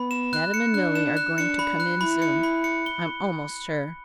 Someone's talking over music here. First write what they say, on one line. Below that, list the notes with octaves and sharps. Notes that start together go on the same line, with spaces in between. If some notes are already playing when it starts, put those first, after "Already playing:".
Adam and Milly are going to come in soon, I'm almost sure.
Already playing: B3 B5
E7
F#6
C#7
D4 F#6
E7
F#6
D4 C#7
B5
F#6
E4 B5
C#7
B5
C#7
G7